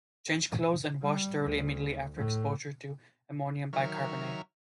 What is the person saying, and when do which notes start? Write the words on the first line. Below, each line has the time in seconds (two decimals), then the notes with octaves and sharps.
Change clothes and wash thoroughly immediately after exposure to Ammonium Bicarbonate.
1.01 G3
1.40 D2
2.16 A2
3.73 D#3 F#3 A#4 C#5 E5 F6